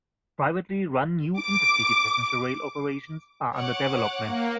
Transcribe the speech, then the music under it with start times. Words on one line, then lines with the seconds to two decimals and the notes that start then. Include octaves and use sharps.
Privately run new inter-city passenger rail operations are under development.
1.40 D6
3.52 C#5 F#5 D6
4.25 A#3